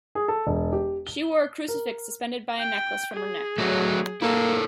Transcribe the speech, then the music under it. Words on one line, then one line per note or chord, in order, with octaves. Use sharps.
She wore a crucifix suspended by a necklace from her neck.
G#4
A4
E1
G4
G7
A#4
G5
G#4
F#3 A3 F#4 C#5
A#3 E4 A4 A#4